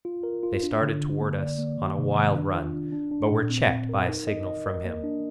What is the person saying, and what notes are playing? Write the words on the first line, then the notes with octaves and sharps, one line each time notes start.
They started toward us on a wild run, but were checked by a signal from him.
F4
A#4
F4
D4
D3
D3
A#3
D5
A#3
D#3
C3
D#3
D4
F4
D4
D4
D4
A#2
C4
C4
A#4
D#4
D#5
D#5
A#4
A#3
D4